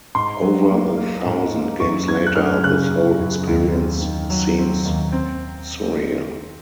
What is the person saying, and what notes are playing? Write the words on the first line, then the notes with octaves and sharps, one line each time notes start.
Over a thousand games later, this whole experience seems surreal.
G#2 C6
F#3
A#3
A#3
G#2
A#3
F#2 C#6
C4 G#6
F#6
F#2 F6
C#3 F#6
C#3
F#2
D#2
C4
D#3
F#3
C4
D#2
C4